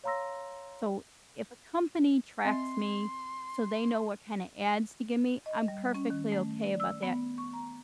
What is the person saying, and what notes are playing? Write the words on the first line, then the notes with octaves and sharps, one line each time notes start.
So, if a company tracks me so they know what kinda ads to give me, I'm perfectly okay about that,
C#5 F5 A#5 C6 E6 A#6
C4 D#5 E5 C6
D#5
G3
C#4
D#3
A3
D5
E6
B3
C#6
A#5